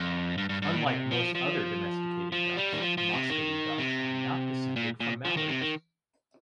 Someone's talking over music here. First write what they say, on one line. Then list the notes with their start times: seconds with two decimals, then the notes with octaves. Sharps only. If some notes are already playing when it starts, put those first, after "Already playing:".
Unlike most other domesticated ducks, Muscovy ducks are not descended from mallards.
Already playing: F2
0.38 G2
0.49 G2
0.62 G2
0.73 A#2
0.86 C3
1.11 F3
1.35 F3
2.32 F3
2.57 G3
2.73 D#3
2.82 F3
2.98 F3
3.13 C3
3.30 D#3
3.78 C3
4.76 A#2
5.00 A#2
5.25 F3
5.37 D#3
5.49 C3
5.61 D#3